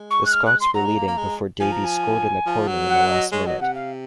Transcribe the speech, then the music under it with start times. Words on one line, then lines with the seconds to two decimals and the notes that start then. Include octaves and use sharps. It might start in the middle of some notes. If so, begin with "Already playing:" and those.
The Scots were leading before Davies scored in the corner in the last minute.
Already playing: G#3
0.11 C#6
0.25 F#6
0.33 F6
0.46 F#6
0.61 C6
0.75 F#3 A#5
0.85 G#3
0.96 A#3
1.07 A#3
1.18 G#3
1.60 F3 G#5
1.72 A#5
1.84 G#5
2.46 F3
2.68 F#3
2.89 F#5
3.10 D#5
3.31 G#3 C#5
3.46 F#3 D#5
3.60 C3 F#5
3.75 F5